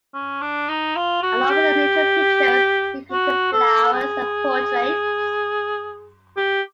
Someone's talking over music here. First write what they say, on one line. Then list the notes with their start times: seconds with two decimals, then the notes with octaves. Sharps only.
Along with nature pictures, he painted flowers and portraits.
0.14 C#4
0.41 D4
0.69 D#4
0.96 F4
1.23 F#4
1.50 G4
3.12 F#4
3.53 A4
3.93 G#4
6.37 G4